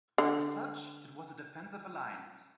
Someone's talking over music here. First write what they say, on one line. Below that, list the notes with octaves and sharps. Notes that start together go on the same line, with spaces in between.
As such, it was a defensive alliance.
D3